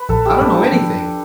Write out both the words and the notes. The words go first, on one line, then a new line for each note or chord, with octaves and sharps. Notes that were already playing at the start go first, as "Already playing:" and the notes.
I don't know anything.
Already playing: B4
A#1 A4
G4
G#2 D4
F3